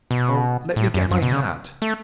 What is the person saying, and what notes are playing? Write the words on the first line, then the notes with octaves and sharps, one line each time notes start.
"Oh--let me get my hat!"
B2
A2
F#2
F#2
B2
C#3
A3